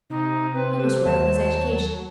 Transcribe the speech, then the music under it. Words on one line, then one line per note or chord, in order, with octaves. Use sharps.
He must work on his education.
C3 D#4
C4 B4
G4 A4 C5
D#2 F#3 A5